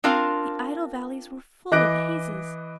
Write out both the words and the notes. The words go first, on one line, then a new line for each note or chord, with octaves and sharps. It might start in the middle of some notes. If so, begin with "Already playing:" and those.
The idle valleys were full of hazes.
C4 D4 F4 A#4 F5
E3 D#5 D6 F#6 A#6 D7